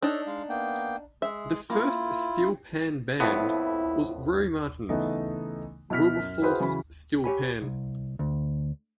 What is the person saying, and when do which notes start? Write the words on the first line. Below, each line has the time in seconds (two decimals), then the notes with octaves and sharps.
The first steelpan band was Roy Martin's Wilberforce Steel Pan.
0.03 D4 D#4 A4 C#5
0.27 G#3 F5
0.49 A#3 B3 G5
1.22 G#3 G#4 E5
1.70 A#3 E4 F4
3.20 F2 A2 B3 E4
4.89 C#3 E3 A3 B3 D#4
5.90 B2 E4 F6 B6
6.15 F#2
6.42 E4 F#4 G#4 B4 C5
6.60 C#3 E3 F#3 B5
7.24 G4 C#5 G#5 B5
7.62 C2
8.19 D2